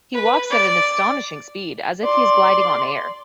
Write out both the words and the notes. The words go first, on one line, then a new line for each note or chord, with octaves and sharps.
He walks at an astonishing speed, as if he is gliding on air.
B4
D5
D5 C6